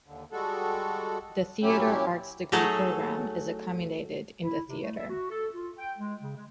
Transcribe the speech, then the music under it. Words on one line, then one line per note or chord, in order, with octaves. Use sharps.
The Theatre Arts degree programme is accommodated in the theatre.
D#2 D3
G3 G#3 F#4 A4
A#2 F#3 C#4 E4 G4
F#3 A3 D#4 G#4 A4 F#5
E4
C3
A3
E5
F#4
A4
F4
G5
G#3
C#3
G#3